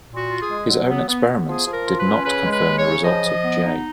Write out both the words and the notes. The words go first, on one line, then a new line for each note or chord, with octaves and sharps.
His own experiments did not confirm the results of J.
A#2
F#4
F4
G#4
G#3
F#3
B3
B3
B3
F3 G#4
F3
A#4
F4
B4
C#4
C#3 B4
G#3
B4
C#3
C#5
C#3
F3 D#5
F3
B3
D#4